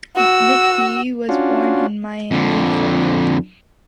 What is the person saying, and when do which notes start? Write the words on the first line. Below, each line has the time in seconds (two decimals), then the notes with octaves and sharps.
McPhee was born in Miami, Florida.
0.16 F#4 E6
1.29 C#4 D4 F4 F#4
2.31 F2 D3